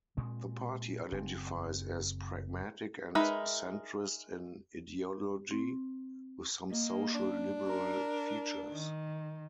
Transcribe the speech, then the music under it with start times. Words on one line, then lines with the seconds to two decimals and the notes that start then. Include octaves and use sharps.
The party identifies as pragmatic and centrist in ideology, with some social liberal features.
0.17 A#2 G#3 C4
1.12 F#1 C4
3.15 G#3 D#4 A#4 B4 E5
5.51 C4
6.71 A#3 D#5
7.14 D4
7.67 A#4
8.70 D#3